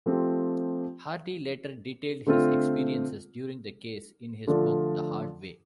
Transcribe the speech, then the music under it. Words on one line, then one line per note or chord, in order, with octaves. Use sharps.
Hardy later detailed his experiences during the case in his book "The Hard Way".
F3 A3 C4 G4
D3 A3 C4 F4
D3 F3 A3 D4 F4